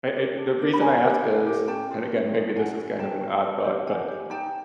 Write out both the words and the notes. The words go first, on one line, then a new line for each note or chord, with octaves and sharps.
I I the reason I ask is and, again, maybe this is kind of an odd thought, but
G4 A#4
D4
G4 A#4
B5
D4 G#5 A#5
G4 A#4
D4
G4 A#4
C#4 G5 A5
F4 G#4
C#4
F4 G#4
D4 F#5 G#5
F#4 B4
D4 G5 A5
F#4
B4
D4
G4 B4
D4 F#5 G#5
G4 B4
D#4 G5 A5